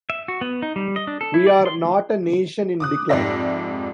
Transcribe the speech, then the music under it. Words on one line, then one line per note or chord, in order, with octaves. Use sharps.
We are not a nation in decline.
E5
F#4
B3
D#4
G3
D#5
D4
A4
E4
D5
C6
D6 D#6 F#6
F2 G#2 G4 D5 E5 A#6